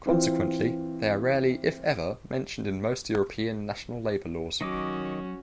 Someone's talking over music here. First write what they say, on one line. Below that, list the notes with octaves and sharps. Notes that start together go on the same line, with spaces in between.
Consequently, they are rarely if ever mentioned in most European national labor laws.
E3 C4 F4
D#3 F#3 C#4 F#4 D#5 D6